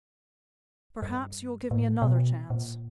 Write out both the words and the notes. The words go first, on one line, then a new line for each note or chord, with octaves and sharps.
"Perhaps you will give me another chance?"
G2
A2
B2
A#2